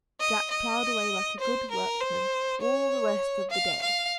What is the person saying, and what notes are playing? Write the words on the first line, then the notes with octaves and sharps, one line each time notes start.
Jack, ploughed away like a good workman all the rest of the day.
D#5
D#5
C5
A#4
C5
C#5
F5
F5